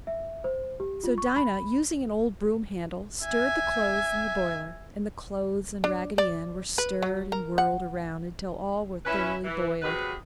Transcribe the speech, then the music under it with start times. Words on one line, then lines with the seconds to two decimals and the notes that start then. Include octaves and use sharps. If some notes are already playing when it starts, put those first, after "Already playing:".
So Dinah, using an old broom handle, stirred the clothes in the boiler and the clothes and Raggedy Ann were stirred and whirled around until all were thoroughly boiled.
0.07 E5
0.44 C5
0.80 G4
1.04 F4
1.18 C#6
1.36 B5
3.25 E5 G#5
5.84 D4
6.18 D5
6.78 B4
7.02 F#3
7.32 A#4
7.58 F#5
9.05 C#4 E4 B4
9.44 E3
9.82 C3 F#3 F#4 G#4 B4